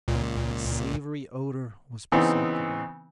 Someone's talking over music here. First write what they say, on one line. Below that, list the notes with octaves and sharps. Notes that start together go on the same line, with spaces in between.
The savoury odour was perceptible.
C#2 A#2
C#3 E3 B3 C4 D#4